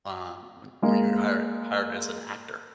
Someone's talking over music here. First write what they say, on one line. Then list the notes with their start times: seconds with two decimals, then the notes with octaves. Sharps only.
um, when when you were hired hired as an actor?
0.82 G#3 A#3